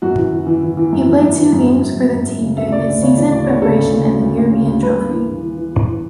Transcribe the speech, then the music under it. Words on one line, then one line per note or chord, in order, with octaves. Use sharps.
He played two games for the team during the season preparation in the European Trophy.
F#2 F#4
E3
E3
E3
E3
E3
F#2
E3
F#2
E3
F#2
F#2
F#2
F#2
F#2
F#2
C#3
D2 E5
E5
C#3 D5
D2
C#3 C#5
E3 D5
D2 D5
D2 C#5
C#3 A4
D2
C#3
D2
D2
D2
C#3
D2
G2 B4
G2
E3
G2
E3
E3
E3
E3